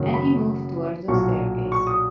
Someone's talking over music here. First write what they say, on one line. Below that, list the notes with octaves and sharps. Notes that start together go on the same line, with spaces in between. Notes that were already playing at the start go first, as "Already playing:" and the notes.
And he moved towards the staircase.
Already playing: F#1 F#2 D#3 F#3
B5
B1 A#2 F#3 C#6
C#6
D#6